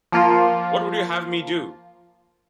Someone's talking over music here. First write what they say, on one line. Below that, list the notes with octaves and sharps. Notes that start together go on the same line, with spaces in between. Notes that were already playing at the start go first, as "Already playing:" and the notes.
What would you have me do?
F3 A#3 F4